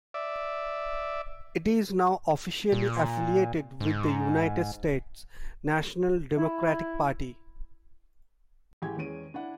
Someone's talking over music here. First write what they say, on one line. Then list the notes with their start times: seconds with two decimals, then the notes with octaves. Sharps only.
It is now officially affiliated with the United States' national Democratic Party.
0.14 D5 E5
2.72 A#2
3.80 G#2
6.37 E4
8.82 A1 G#3 G4 G5 G#5 G#6
8.97 E2 G#3 C#4 D7 D#7
9.34 D4 E4 F#5